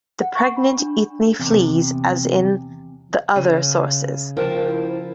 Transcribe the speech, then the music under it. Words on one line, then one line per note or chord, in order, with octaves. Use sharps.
The pregnant Eithne flees as in the other sources.
F#5
C#6
B5
D4
E2 C3
C#3
F3 A#4 C5 G5 A5
E4